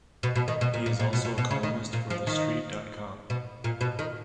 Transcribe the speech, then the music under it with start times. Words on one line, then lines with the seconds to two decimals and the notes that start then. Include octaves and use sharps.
He is also a columnist for TheStreet dot com.
0.23 B2
0.36 B2
0.48 D#3
0.61 B2
0.74 A#2
0.86 A#2
0.99 A#2
1.13 B2
1.25 B2
1.38 B2
1.51 C#3
1.63 D#3
1.93 A#2
2.10 F3
2.27 D#3
3.30 B2
3.64 A#2
3.81 B2
3.99 D#3